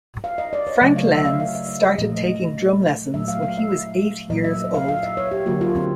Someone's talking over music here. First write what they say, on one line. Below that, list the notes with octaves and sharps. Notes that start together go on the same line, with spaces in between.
Frank Lenz started taking drum lessons when he was eight years old.
F5
D#5
D5
C#5
C#3 F#3 A3 D#5
F5
E5
F5
F5
E5
D#5
D#5
A#2 F3 A3 D#5
A#2 F#3 A3 E5
F5
F5
E5
A#2 F#3 A#3 D#5
E5
F5
F5
E5
C#5
G4
D3 F#3 A#3 F#4
F4
C4